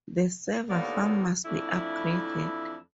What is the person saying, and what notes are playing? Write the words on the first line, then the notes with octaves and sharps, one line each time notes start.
The server farm must be upgraded.
D#2 A2 D3 A#3 B3 D5
F2 E3 A3 D4 E4